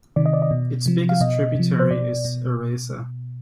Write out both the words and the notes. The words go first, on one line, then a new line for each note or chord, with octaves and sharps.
Its biggest tributary is Aresa.
C3 D#3 D5
D#5
D5
D#5
B2
C3 F3
F5
B2 D#5
C3 F3
C5
B2 D5
B2